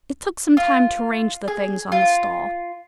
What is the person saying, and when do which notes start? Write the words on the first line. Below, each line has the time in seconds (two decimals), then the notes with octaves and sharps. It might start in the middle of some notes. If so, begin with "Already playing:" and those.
It took some time to arrange the things on the stall.
0.57 F4
1.48 G#4
1.92 F4